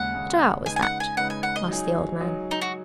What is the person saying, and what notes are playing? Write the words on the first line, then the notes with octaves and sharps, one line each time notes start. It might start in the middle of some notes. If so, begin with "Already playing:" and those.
"What hour was that?" asked the old man.
Already playing: D#2 C#3 G#3 F#5
D#2 C#3 G#3
C#3 G#3 D#4 B4 G#5
G#5
F#5
G#5
C#3 G#3 D#4 B4 F#5
G#5
F#5
D#5
F#3 D#4 G#4
F#3 D#4 G#4
D#4
F#4